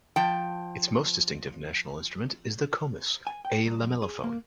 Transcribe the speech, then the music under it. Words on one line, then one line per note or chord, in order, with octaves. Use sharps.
Its most distinctive national instrument is the "khomus", a lamellophone.
F3 G5 A5
G#5
G5
C2
F#2
G#4
A#3